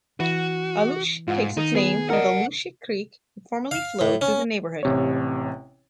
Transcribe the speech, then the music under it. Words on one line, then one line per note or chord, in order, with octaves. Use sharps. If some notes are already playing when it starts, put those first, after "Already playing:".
Aluche takes its name from the Luche creek that formerly flowed through the neighbourhood.
E3 F#4
G#2 F4 F#5
D#3 D#4
B3 G#4
A#4 D5 D#5 F#5 A5
F5
A2
C#4
A1 C3 C#5